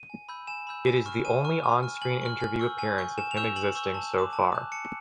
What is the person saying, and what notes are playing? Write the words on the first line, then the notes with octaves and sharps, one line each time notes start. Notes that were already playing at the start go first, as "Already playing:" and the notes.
It is the only on-screen interview appearance of him existing so far.
Already playing: D#7
G#5
B5 E6 G6
G#5 E7
B5 E6 G6
G#5
C#6 F6
G#5 D#7
C#6 F6
G#5
C#6 F6
G#5 F#7
C#6 F6
G#5
C#6 E6 G6
G#5
C#6 E6 G6
G#5 E7
F7
C#6 E6 G6 E7
G#5 F#7
C#6 E6 G6
A5
D6 F#6
A5
D6 F#6
A5 C#7